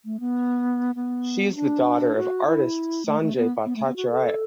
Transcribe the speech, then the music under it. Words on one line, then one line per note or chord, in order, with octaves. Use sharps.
She is the daughter of artist Sanjay Bhattacharya.
A3
B3
B3
D4
F#4
E4
A3
A3
B3
B3
A3
B3
F#4
A4